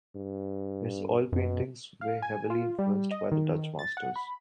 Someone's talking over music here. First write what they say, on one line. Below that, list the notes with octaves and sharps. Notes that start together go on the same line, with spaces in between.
His oil paintings were heavily influenced by the Dutch Masters.
G2
F#2 B2
F5
G#5
F4
G3
D#5
D#3
A6
F#5
B5